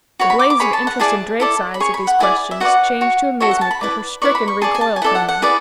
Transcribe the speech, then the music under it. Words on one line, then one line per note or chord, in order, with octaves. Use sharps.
The blaze of interest in Drake's eyes at these questions changed to amazement at her stricken recoil from them.
F#4 C#5 B5
B5
D6
D6
G#4 C#5 B5
A5
F#5
E4 G#4 D5 A5
E4 A4 D5
B5
G#4 C#5 C#6
B5
F#5
E4 G#4 D5 G#5
E5
F#4 B4 D5 F#5
F#4 C#5
F#4 A4 C#5 E5
F#5
A5
B5
E4 B4 D5
E4 B4 D5 C#6
B5
C#6
G#4 D5 A5
G#5
A5
G#5
E4 A4 D5 F#5
F#5
F#5
E4 G#4 B4 D5